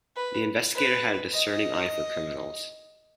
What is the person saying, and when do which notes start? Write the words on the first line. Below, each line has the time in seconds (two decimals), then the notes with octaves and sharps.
The investigator had a discerning eye for criminals.
0.16 B4
0.75 B4
1.33 D#5